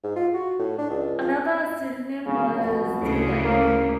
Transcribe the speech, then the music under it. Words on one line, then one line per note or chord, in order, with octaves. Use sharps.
Another pseudonym was Dodek.
G#2
F4
F#4
A2
D4
C#2
F3
D1 C#3
F1 B2
D2 A2 C#3
A#3